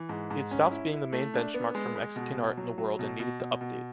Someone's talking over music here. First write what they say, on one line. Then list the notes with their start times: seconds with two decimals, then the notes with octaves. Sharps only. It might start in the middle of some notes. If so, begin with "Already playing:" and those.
He had stopped being the main benchmark for Mexican art in the world and needed to update.
Already playing: E3
0.09 G#2
0.30 G#2
0.51 C#4
0.71 E4
0.93 E4
1.12 A3
1.34 D4
1.54 B3
1.75 G#3
1.96 G#3
2.16 B2
2.37 B2
2.57 F#3
2.78 F#3
2.99 B2
3.19 B2
3.40 B2
3.61 B2